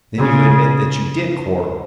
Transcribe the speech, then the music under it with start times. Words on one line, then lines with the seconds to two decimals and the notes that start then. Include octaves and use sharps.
"Then you admit that you did quarrel?"
0.18 C#3